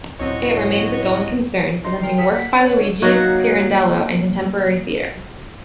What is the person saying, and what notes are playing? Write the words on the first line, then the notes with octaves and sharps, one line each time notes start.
It remains a going concern, presenting works by Luigi Pirandello and contemporary theater.
C#2 A2 F#3 C4 F#4 C#5 D#5
D#4 C6
A#4 G5
G#4 A4 B6
A#3 F#5
C#5 A5
D3 F4
F#3 A#3 D#4 F#4